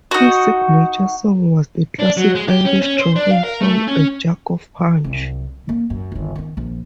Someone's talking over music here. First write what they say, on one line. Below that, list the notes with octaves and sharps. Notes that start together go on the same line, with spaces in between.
His signature song was the classic Irish drinking song, A Jug of Punch.
D#4 F#4
D4
F#3
G#3
G4
C#4
C#4
C5
D4
F5
A#4
A3
C#4
C2 F#3
A#3
F#2
G1 D#3
D#3 B3
A#1 F3